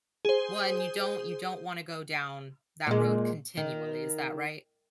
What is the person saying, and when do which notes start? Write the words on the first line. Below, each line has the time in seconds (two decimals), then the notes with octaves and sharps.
Well, and you don't you don't wanna go down that road continually, is that right?
0.25 G#4 C5
2.87 A#2 G#3
3.57 D#3